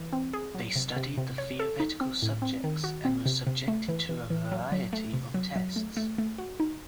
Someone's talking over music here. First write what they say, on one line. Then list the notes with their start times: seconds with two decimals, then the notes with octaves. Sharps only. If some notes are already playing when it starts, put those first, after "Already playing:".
They studied theoretical subjects and were subjected to a variety of tests.
Already playing: E3
0.13 C4
0.33 G#4
0.54 F#3
0.76 C3
0.96 C3
1.18 C3
1.38 C#5
1.59 A4
1.80 D#4
2.01 C4
2.22 A2
2.42 C4
2.64 D#3
2.84 F#4
3.05 C4
3.26 C3
3.47 C3
3.68 A3
3.89 E3
4.09 E3
4.30 E3
4.52 F#3
4.72 F#3
4.93 A3
5.13 C3
5.34 F#3
5.56 F#3
5.76 A3
5.97 A3
6.18 A3
6.38 F#4
6.60 D#4